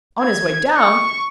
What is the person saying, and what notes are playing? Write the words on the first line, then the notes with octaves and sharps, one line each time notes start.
On his way down!
G#6
C#6